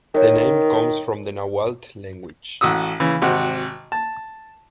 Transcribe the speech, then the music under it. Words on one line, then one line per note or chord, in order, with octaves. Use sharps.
The name comes from the Nahuatl language.
D#3 A#4 C#5
A1 F#4 D#6 E6
C#3 E3
G#1 C3 F#4 F#6
A5